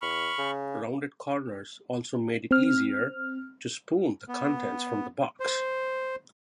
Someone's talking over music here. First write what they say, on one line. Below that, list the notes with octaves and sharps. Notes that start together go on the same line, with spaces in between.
Rounded corners also made it easier to spoon the contents from the box.
E2 B5 C#6 F6
C#3
C4 F6
B3
C5